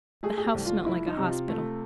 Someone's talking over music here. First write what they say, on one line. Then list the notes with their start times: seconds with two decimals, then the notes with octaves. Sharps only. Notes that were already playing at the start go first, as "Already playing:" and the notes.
The house smelt like a hospital.
0.23 A3 G#4
0.38 G#4
0.44 G4
0.54 C2
0.65 F4
0.86 F3 E4
1.07 D#4
1.17 C3
1.28 F4
1.48 A3